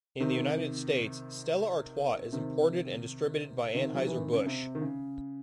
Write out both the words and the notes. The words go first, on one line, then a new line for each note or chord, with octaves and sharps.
In the United States, Stella Artois is imported and distributed by Anheuser-Busch.
C3 D#3
C3 D#3
C3 D#3
F#3
E3
D#3
C#3
C3
D#3
C#3